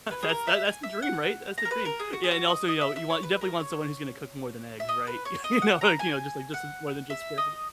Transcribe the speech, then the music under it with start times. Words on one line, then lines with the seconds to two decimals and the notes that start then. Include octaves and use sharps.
That's tha that's the dream, right, that's the dream. Yeah and also, you know, you want you definitely want someone who's gonna cook more than eggs, right? You know, like, you know, just like just more than just scrambled
0.11 B4
0.23 G#4
0.29 A#4
0.47 E5
0.65 G#5
0.83 E5
1.02 F#5
1.58 A#5
1.65 A#4
1.71 B4
1.85 A#4
1.99 G#4
2.13 F#4
2.24 G#4
2.31 F#4
2.50 D#5
2.68 D#5
2.81 E5
2.96 E5
3.10 C#5
3.23 B4
3.41 A#4
3.60 C#5
4.80 E5
4.89 D#5
5.07 B4
5.25 C#5
5.44 D#5
5.62 F#5
5.81 A#5
5.99 G#5
6.54 F#5
7.10 E5
7.38 D#5